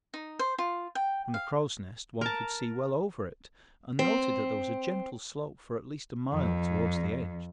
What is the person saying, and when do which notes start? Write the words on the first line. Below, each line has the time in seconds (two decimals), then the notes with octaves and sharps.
From the crow's nest one could see well over it, and noted that there was a gentle slope for at least a mile towards the edge.
0.14 D#4
0.39 C5
0.58 F4
0.95 G5
1.34 F5
2.21 A#4 A5
3.99 C4
6.32 F2